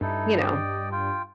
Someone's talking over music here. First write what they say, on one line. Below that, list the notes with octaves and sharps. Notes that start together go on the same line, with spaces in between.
you know.
G2 D#4 E4 A4
D5 D#5 G5
F4 G5